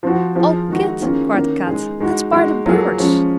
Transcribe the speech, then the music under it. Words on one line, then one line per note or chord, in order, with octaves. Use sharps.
"O Kit," cried Kat, "let's buy the birds!"
F3 C4 F#4
F3 C4 F4 G#4
D#3 G#3 D#4 F#4
D#3 A#3 C#4 F4 G#4
D#3 A#3 C#4
G#3 D#4 G#4
G#3 D#4 F#4
G#3 D#4 F#4
F#3 A#3 F4 G#4
F3 G#3 C#4